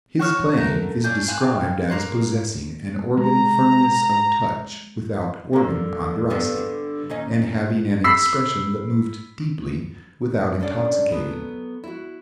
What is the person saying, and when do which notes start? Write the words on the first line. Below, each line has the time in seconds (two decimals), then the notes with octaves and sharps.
His playing is described as possessing an organ firmness of touch without organ ponderosity, and having an expression that moved deeply without intoxicating.
0.19 F#4 C#5 C#6 F6
0.57 A3 A#4 F#5 A#5
1.04 C#4 D4 G6
1.28 C4 F5 G#5 F#6
1.90 A#3 A#5 C6 F#6
3.18 G#3 A#5
5.53 D3 A#3
6.30 G2 D3 B3
7.10 D#2 C#4 D#4
8.04 B5 E6 B6 C7
10.60 G2 D3 C#4 D5 F#5
11.10 F#3 B3 A4
11.84 E4 F#4